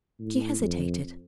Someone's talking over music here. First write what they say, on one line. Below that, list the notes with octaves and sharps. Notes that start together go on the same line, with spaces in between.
She hesitated.
A2
F2